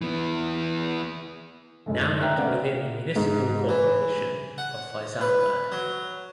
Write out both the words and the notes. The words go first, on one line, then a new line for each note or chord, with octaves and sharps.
Now it within the municipal corporation of Faisalabad.
E3 B3
F#2 A2 G#3 A3
D#3
C#5 E5 G5 A#5 F6 F#6
A3 B3 C5 D5 F5
G#2
E3
F#5
B4
F#3